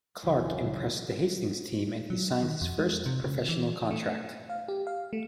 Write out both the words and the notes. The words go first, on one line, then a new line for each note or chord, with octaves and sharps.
Clarke impressed the Hastings team and he signed his first professional contract.
F#1 D2 C#3 E3
F#3
D#3
F2
G#3
C3
C#3
E3
A3
F5
G4
F5
A3